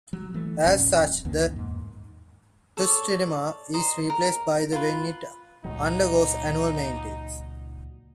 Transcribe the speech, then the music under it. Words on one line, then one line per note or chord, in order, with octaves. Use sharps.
As such, the "Tustumena" is replaced by the when it undergoes annual maintenance.
F#3
E3 A3
D#1 A#1 F2 C#4
C#2 F#2 D#3 A#3
E2 G#2
A4 C#5 D5
C5 D#5 A#5
A#4
F4 B4
C#2 A#2 F#3 D#4